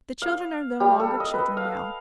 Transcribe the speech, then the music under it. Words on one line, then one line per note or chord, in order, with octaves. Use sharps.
The children are no longer children now.
F5
G3
A4
D#5
B4
F5